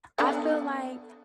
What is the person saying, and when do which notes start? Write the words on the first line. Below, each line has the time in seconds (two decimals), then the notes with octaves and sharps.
I feel like
0.18 B3 D4 A4